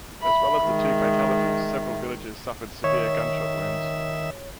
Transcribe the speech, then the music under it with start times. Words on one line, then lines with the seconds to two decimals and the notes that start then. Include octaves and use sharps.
As well as the two fatalities several villagers suffered severe gunshot wounds.
0.22 E5 B5
0.64 D#3 G#3
2.84 D#3 C#5 E5